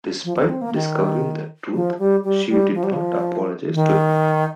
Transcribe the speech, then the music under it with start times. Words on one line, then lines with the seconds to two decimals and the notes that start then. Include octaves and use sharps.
Despite discovering the truth, she did not apologize to him.
0.25 F3
0.37 C4
0.43 D#4
0.49 C4
0.61 A#3
0.74 D#3
1.74 F3
1.99 G3
2.24 G3
2.49 G3
2.75 F3
2.84 G3
2.92 F3
3.74 D#3